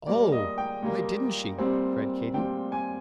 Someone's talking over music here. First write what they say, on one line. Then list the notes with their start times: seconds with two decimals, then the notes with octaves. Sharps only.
"Oh! why didn't she?" cried Katy.
0.07 A#2 G3 A#3 D5
0.32 D#5
0.58 G5
0.83 A#2 G3 A#3
1.58 A#2 G3 C4
2.34 A#2 G3 C4 G5
2.72 G#5